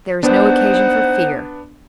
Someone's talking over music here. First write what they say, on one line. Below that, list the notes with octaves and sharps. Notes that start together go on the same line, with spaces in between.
There is no occasion for fear.
B3 D4 D#4 C5 F#5